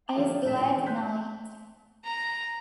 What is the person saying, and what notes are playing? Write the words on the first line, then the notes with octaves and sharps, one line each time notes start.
I was glad to know it.
F3 A#3 F4 G4 A4 E5
D#1 A2 D4 A5 B6 E7
E4 F4
E3 G#3
C6 F#6 G6 B6
A#5